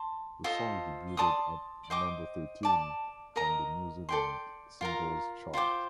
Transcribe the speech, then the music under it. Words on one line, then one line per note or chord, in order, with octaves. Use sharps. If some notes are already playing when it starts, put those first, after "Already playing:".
The song debuted at number thirteen on the New Zealand Singles Chart.
Already playing: A5 C6
F4 A4 C5 D#5
D5 A5 C6 D#6
C5 D#5 G5 D6
D5 A5 D6
A#4 D#5 A#5
A4 D5 G5 C6
F4 A#4 F5 A#5
F4 C5 G5 D6